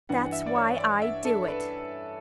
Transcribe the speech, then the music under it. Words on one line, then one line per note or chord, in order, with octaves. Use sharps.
"That's why I do it."
G2 E3 F#5
F#5
E5
D5
C#5
D5
E5
A4
B4